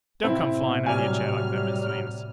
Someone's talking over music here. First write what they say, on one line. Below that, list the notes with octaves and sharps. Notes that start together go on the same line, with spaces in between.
Don't come flying out of your chair like that, Mr Venus!'
A2 C3 C4 E4 E5
F#3 G3 G#5 F6